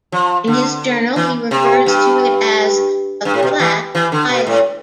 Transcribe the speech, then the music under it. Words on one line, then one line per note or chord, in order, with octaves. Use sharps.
In his journal he refers to it as the "Flat Island".
F3
D3
E3
C3
G2
G2
A2
B2
E3
E3
D3
B2
A2